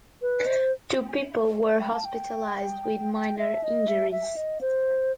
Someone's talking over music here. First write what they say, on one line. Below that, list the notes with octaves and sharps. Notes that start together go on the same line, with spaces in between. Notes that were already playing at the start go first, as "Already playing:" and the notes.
Two people were hospitalized with minor injuries.
B4
C5
E5
G5
A5
G5
G5
E5
D#5
E5
E5
D#5
C5